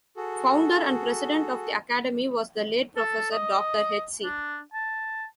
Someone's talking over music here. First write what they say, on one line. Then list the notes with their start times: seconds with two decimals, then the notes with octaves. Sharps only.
Founder and president of the Academy was the late Professor Doctor hc.
0.16 F#4 G#4 A4
2.97 A4
3.32 D#5
4.24 D4
4.73 A5